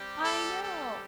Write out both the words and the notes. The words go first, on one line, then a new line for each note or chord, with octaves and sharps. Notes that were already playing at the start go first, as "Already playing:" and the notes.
I know!
Already playing: G3 C4 G4
A4
A4